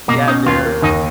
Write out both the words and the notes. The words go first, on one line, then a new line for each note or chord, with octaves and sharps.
Yeah. There
B2 A#3
C#4 D#4
D#2 F4
A#3
D#2 D#4